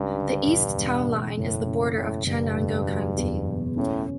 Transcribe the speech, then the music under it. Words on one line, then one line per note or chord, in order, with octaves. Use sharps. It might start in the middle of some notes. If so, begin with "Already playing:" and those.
The east town line is the border of Chenango County.
Already playing: C#2 G2
D3
E1
E1
E1
F#1 A2
C#3
A2 C#3
F#1 G2
E1
F#3
E2
E1
A2 C#4